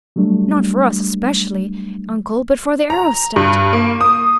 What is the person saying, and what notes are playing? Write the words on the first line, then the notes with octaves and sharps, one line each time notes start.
Not for us, especially, uncle, but for the aerostat?
F#3 G3 A3 D4
A#5
G2
A#3
D#6